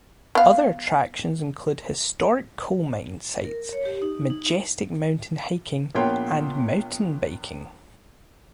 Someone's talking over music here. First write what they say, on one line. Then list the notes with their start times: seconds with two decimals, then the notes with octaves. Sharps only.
Other attractions include historic coal mine sites, majestic mountain hiking and mountain biking.
0.35 B3 F5
3.45 A#4
3.73 C#5
3.85 G4
4.02 D#4
4.30 D#4
5.95 A#1 A#3 B3 C#5 G5 C6